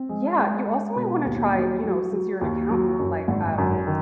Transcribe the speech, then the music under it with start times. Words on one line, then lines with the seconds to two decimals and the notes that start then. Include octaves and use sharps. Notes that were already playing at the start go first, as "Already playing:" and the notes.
yeah, you also might wanna try, you know, since you're an accountant, like, um,
Already playing: C4
0.09 G#3
0.38 G#3
0.67 G#3
0.96 B2
1.25 D#2
1.54 F#3
1.84 F#3
2.12 F#3
2.41 D#2
2.70 F#3
2.99 F#2
3.28 G#1
3.58 F#2
3.87 D#3